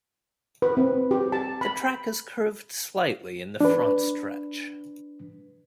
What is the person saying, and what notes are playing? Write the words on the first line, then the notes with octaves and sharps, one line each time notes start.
The track is curved slightly in the front stretch.
B4
C4
G4
A5
B5
D4 B4